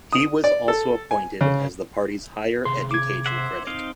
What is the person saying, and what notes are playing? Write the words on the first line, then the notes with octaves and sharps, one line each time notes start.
He was also appointed as the party's Higher Education Critic.
D#6
D5
A4
G#5
C#3
C3 G#4 C6
D6 G#6
C5 E5 F#5
C4 D#4 F5